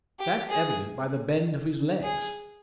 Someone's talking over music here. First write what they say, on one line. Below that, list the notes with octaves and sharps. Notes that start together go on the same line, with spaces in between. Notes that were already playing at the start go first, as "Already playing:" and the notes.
That's evident by the bend of his legs.
G4
G#4
G#4